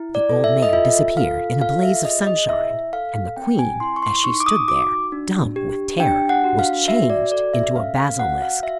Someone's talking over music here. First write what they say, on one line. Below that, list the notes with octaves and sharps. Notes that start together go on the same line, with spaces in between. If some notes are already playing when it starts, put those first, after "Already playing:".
The old man disappeared in a blaze of sunshine; and the queen, as she stood there, dumb with terror, was changed into a basilisk.
Already playing: E4
D5
A4
E5
D#5
F4 E5
A4 F5
F4 F5
E5
G#4 D#5
D#5
E4 E5
A4 F5
C4 G5
G#5
E4 C6
C#6
C6
D#4 C#6
D6
D#6
F#4 D6
D4
G4
D4 G5
F#5
F#4
F5
F#4 E5
D5
A4 D5
E5
C#4 F5
F5
F#4 F#5
F5
F#4 E5